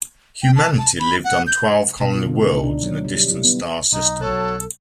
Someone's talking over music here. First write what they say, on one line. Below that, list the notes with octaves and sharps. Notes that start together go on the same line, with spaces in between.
Humanity lived on twelve colony worlds in a distant star system.
G5
A5
A5
B5
F#5
G6
B2
F4
D3
D#4
D4
F#3
G3
E4
B3
B1 D#4
F#3 A4 C#5 A5 F#6